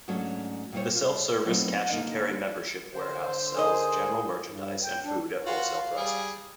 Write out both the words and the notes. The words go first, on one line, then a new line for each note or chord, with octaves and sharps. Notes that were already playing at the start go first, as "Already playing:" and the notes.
The self-service, cash-and-carry, membership warehouse sells general merchandise and food at wholesale prices.
G#2 F#3 A3 C#4 D4
A#2 G3 E4 C5 C#5
F4
F#3 A3 B3 C4 D#4 F4
D3 A#3 D#4
D3 C5
D#4 G#4 A#4 D#5
G2
G5
D4
F4 F#4 F5
G3 G#4